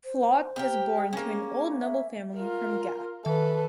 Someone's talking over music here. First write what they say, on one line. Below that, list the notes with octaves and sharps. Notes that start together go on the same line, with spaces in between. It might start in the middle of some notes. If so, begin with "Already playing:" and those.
Flotte was born to an old noble family from Gap.
C5
G4 A#4 G5
G#4
A#3 C#4
E5
F4 A#4
D#3 A4 B4 E5